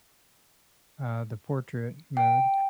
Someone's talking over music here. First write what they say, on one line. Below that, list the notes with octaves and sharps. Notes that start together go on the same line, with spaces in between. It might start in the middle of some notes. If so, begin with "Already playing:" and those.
uh, the portrait mode,
G5